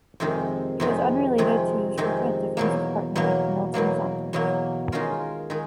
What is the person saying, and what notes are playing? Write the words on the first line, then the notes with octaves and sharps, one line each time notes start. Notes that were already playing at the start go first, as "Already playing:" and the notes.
He was unrelated to his frequent defensive partner Nilton Santos.
F2 C3 D#3 G#3
F2 C3 D#3 G#3
F2 C3 D#3 G#3
F2 C3 D#3 G#3
E2 B2 F#3 A#3
E2 B2 F#3 A#3
E2 B2 F#3 A#3
E2 B2 F#3 A#3
D#3 G#3 C#4 F4 A#4
D#3 G#3